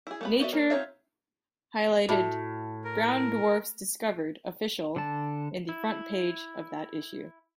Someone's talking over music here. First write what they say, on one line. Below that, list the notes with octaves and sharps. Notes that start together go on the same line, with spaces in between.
"Nature" highlighted "Brown dwarfs discovered, official" in the front page of that issue.
E4 G#4
A3 B3 B5
B3 F#4 D5 E5
A#3 C#4 A#4
C4 D#4 F4 C#5 E5
A2 F#4 E5
A#4
D3 A5
E4